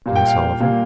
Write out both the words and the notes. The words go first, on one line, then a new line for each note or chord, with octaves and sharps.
"Yes, Oliver?"
A#2 G3 A#3
G5
F5
G5
A#2 G3 A#3